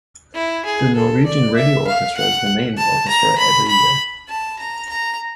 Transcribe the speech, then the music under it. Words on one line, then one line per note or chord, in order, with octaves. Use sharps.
The Norwegian Radio Orchestra is the main orchestra every year.
E4
G#4
A4
D5
E5
F5
F#5
A5
A#5
B5
B5
A5
A#5
A#5